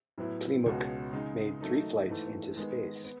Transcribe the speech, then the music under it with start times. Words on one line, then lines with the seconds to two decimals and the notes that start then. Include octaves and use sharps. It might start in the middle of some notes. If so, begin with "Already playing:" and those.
Klimuk made three flights into space.
0.18 A2 F#3 B3 E4
0.66 C#2 B2 G#3 C#4 F#4
1.13 C#3 G#3 D#4
1.60 D#3 F#3 A3 D#4
2.09 G#2 E3 A3
2.57 D#3 G#3 B3
3.04 B3